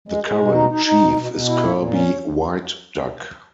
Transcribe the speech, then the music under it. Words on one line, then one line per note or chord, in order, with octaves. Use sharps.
The current Chief is Kirby Whiteduck.
G#3
G#3
B2
D#4
D#4
D#4
B2
B2
B2
E4
A#2
A#2
C#4